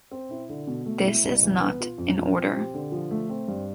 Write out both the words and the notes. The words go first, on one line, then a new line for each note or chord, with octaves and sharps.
This is not in order.
C4
E4
D3
B2
A3
E4
C2
E3
B3
F4
F2
F3
C4
G4
D3
F3
A3
C4
G2